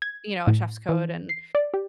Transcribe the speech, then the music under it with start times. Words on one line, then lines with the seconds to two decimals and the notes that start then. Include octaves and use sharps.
you know, a chef's coat and,
0.02 G#6
0.47 A2
0.89 E3
1.29 C7
1.55 D5
1.74 G4